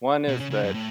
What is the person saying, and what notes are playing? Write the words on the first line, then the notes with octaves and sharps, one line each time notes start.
one is that,
B2
C#3
C#3
F#2
A2